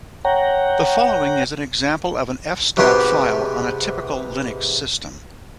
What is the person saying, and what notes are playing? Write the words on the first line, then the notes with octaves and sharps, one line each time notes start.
The following is an example of an fstab file on a typical Linux system.
C#5 F#5 G5 A#5
G#2 C3 B3 F#4 G4 C6